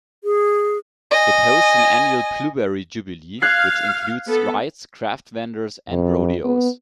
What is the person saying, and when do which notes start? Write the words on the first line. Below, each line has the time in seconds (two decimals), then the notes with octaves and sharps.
It hosts an annual Blueberry Jubilee, which includes rides, craft vendors, and rodeos.
0.24 G#4
1.11 D#5 G#5
3.42 F5 F#6 G#6 C7
4.27 B3 A4
5.90 F2
6.44 B3